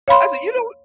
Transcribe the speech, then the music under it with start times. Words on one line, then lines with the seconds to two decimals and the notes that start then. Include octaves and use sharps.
said, "You don't"
0.08 C#5 F5 B5 C6